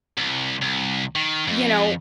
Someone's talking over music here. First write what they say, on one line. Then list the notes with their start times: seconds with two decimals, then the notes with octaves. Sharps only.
you know,
0.17 C2
0.62 C2
1.15 D#3
1.48 F2